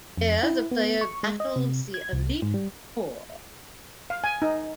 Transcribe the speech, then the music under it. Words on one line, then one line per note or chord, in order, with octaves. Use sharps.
There the player battles the Elite Four.
F2
E4
B3
C#6
G#3
D#5
C3
G#6
C2
G#2
G3
F5
G#5
D#4